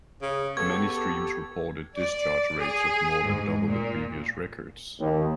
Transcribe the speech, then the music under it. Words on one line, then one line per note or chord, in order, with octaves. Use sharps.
Many streams reported discharge rates of more than double the previous records.
C#3
B3 G4 A4 C#6 G#6
D5
G#4
G#2
A#2
D#2